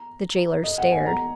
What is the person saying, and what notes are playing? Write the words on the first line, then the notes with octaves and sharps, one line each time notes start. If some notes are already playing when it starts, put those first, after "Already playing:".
The jailer stared.
Already playing: A#5
D#5
F#5
G#5
A#5